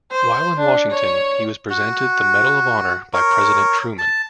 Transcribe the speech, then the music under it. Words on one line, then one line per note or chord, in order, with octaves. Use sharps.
While in Washington, he was presented the Medal of Honor by President Truman.
C5
D4
C#5
F#4
A#4 C#5
A5